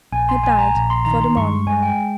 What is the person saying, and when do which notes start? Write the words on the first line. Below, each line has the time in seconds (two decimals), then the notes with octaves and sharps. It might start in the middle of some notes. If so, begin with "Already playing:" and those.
He died before the morning.
0.12 A#1 G#5
0.29 C6
0.43 A#1 G#5
0.59 A#5
0.74 A#1 A#5
0.90 C6
1.05 D#3 A#5
1.21 C6
1.37 G2 C#6
1.67 G#3 G#5
1.83 G5